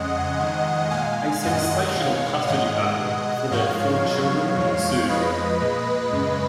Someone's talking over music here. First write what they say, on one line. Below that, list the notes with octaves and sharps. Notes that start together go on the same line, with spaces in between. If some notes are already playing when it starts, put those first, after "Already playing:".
A sensational custody battle for their four children ensued.
Already playing: F2 C#3 G#3 D#5 F#5
F2 D#3 G#3
A#2 G#3 F5 G#5
F#2 D#3 G#3 D#5 F#5
B2 G#3 C#5 F5
G#2 D#3 G#3 D#5 F#5
B2 G#3
G#2 F3 G#3 C#5 F5
B2 F#3
F2 F3 G#3
F2 F3 G#3 B4 D#5
A#2 G#3
F#2 C#3 G#3